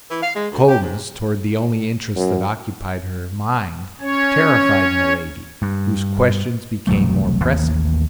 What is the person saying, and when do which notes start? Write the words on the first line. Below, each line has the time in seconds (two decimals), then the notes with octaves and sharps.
This coldness toward the only interests that occupied her mind terrified Milady, whose questions became more pressing.
0.10 E3
0.22 F5
0.36 G#3
0.52 D2
0.68 G4
0.82 G#2
2.16 F#2
4.00 C#4 C#5
5.62 G2
6.87 E1 C2 F#3 A3
7.43 A1 D#2 A#3